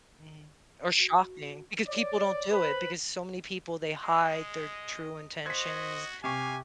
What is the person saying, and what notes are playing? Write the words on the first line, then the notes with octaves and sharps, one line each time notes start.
Mhm. Or shocking because people don't do it because so many people, they hide their true intentions.
F#4
C#5 D5
B4 C5 B5
G#3 D#5
F#4 C5 D#5 G#6 B6
C3 G4 F5 G#5 C#6